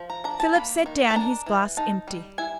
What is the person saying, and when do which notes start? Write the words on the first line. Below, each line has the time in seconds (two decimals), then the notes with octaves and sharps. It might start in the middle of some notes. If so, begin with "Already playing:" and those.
Philip set down his glass empty.
Already playing: F3
0.10 A#5
0.24 D4 A#5
0.40 A5
0.55 A#3 B5
0.86 D#3
1.10 A5
1.16 D4 A#5
1.46 E3
1.77 D#4 A5
2.08 G3
2.38 E4 G#5